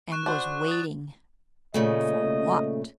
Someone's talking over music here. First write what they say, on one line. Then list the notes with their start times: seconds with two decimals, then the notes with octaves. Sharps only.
And was waiting--for what?
0.12 C#6 F#6 E7
0.26 D4 F#4 C5 F#6
0.68 D#6 A6
1.74 A#2 C#3 A3 D#5